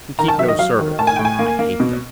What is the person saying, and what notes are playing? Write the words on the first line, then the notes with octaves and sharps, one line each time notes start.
We keep no servants--I hate them.
D#3 A#5
A5
F#3 E5
D#5
F#3 F5
D#3
A2 A5
G#5
A2 G5
G#5
A#3
A#3
B2